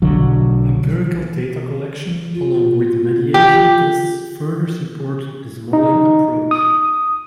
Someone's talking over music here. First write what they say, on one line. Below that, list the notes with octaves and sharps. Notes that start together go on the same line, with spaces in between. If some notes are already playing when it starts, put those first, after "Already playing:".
Empirical data collection along with mediation tests further support this modeling approach.
B1 D3 F#3
F4
G4
D#4
D#6